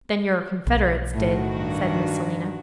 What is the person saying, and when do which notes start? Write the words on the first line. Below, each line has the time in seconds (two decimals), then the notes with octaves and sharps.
'Then your confederates did,' said Miss Selina.
0.67 B1
1.14 A2 D#3 F#4
1.57 G2